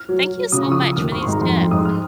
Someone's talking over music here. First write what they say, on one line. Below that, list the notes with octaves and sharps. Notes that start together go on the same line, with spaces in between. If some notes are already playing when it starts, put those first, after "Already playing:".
Thank you so much for these tips and
Already playing: F6
F#3
F#3
F#3
C#3 D#6
C#6
F3 D#6
F3 D#6
D#2 F6
G#1 C#6
C6
G#2
A#5
F2 C6
F2 C6
G#2 D#6
F6